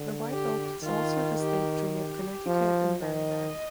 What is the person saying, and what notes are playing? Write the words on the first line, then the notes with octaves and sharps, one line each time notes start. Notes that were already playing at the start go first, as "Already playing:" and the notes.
The white oak is also the state tree of Connecticut and Maryland.
Already playing: D3
G4
D#3 F4
G4
G4
F3
D#3 D#5